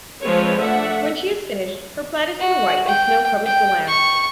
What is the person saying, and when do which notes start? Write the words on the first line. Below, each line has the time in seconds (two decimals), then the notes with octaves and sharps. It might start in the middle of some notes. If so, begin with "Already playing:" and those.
When she is finished, her plaid is pure white and snow covers the land.
0.22 F3 G#3 C4 B4 C#5
0.59 A3 D4 E5 F#5
2.39 F#4
2.87 G5
3.46 G5
3.88 C#6